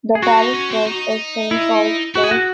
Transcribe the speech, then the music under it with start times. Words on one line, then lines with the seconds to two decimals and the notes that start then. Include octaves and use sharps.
The parish church is Saint Paul's Church.
0.15 G#4
0.22 C4 F#4
0.39 D#4
0.54 C#4
0.71 C4
0.87 D#4
1.51 E4
2.15 E4 F#4
2.23 G#4
2.31 F#4